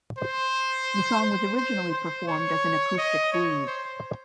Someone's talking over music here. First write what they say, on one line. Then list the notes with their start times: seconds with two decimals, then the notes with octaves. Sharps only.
The song was originally performed as an acoustic blues.
0.18 C5
1.22 C5
1.57 C5
1.92 C5
2.28 C#5
2.98 D#5
3.32 C#5
3.67 C5